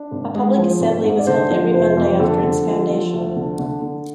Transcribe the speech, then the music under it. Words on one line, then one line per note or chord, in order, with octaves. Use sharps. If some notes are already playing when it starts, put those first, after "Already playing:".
A public assembly was held every Monday after its foundation.
Already playing: D4
G#1
G#3
F3
G#1
G#2
D5
D3 C5
F3
F1 C5
F2
D3 A4
D3
F3
F3
D2
D3
D3
D3